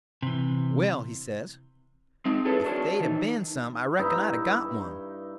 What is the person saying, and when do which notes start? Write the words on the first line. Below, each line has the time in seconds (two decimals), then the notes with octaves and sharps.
"Well," he says, "if they'd a ben some, I reckon I'd a got one."
0.22 C3 E3
2.25 G#3 C4 D#4
2.45 E4 G#4 A4 B4 C#5
2.65 D4 F#4 A#4 C5 C#5
3.00 D#3 E3 D#4
3.99 G2 D#4 E4